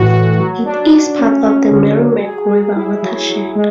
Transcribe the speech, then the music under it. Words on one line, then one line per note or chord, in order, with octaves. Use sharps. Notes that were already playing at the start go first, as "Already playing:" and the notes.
It is part of the Merrimack River watershed.
Already playing: A2 E3 F#4
F#4
F#3
D4
F#3
C#4
C#4
D3
F#3
G#4
G#4
E4
F#3
F#3
G#3